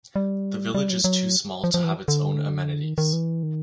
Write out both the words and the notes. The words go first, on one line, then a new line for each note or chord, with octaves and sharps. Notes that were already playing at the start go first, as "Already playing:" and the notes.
The village is too small to have its own amenities.
G3
G3
F#3
F#3
F3
F3
E3
D3
D#3
D#3
E3
D#3